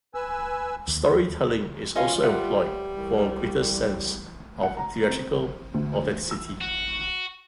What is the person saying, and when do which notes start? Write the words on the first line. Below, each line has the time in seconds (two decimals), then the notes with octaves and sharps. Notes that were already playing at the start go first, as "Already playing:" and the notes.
Storytelling is also employed for a greater sense of theatrical authenticity.
0.14 B4 G#5 E6
0.88 D#2
1.96 C#4 F4 D#5 F5
2.22 G3 B4 E5 F#5
2.97 C2
4.63 F#5
4.77 A#5
5.08 C4
5.74 D2
6.31 E6
6.61 F#4